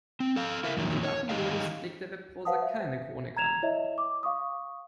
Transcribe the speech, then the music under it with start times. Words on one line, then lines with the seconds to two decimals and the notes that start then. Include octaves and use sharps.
Im privaten Modus legt der Webbrowser keine Chronik an.
0.20 C4
0.36 A4 F5
0.64 E4 A#4 E5
0.77 F2 A#2 D#3 F#3
1.03 C#5
1.29 D#3 D#4 G4 G#4 D#5 F5
2.45 B4 C5 F5 F#5 A5 D#6
2.62 C5 E5
3.37 A#5 G#6 E7 F7
3.63 E4 C#5 D#5 E5
3.98 D6
4.23 F5 C#6 D#6